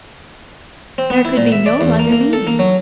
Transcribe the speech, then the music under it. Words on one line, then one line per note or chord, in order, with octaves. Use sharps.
There could be no other meaning.
C4
B3
E4
A#2
E5
D5
E2
A#3
A#3
A4
A#3
F#3